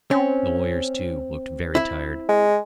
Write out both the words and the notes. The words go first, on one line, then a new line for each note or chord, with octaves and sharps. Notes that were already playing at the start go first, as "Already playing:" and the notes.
The lawyers, too, looked very tired.
C4 C#4
E4 E5
G#3